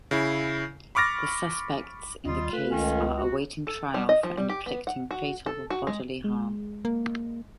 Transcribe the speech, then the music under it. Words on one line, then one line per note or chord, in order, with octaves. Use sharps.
The suspects in the case are awaiting trial for inflicting fatal bodily harm.
C#3 E4
B5 C#6 D6 F6 A6 A#6
D#2 G3 F4 D#5
A3 F4 B4
C#2 D#3 C#4
F#4
A4
G3
D#5
F3
G3
G4
B3
F#5
F#4
A4
F#4
G#3
G#3
A#3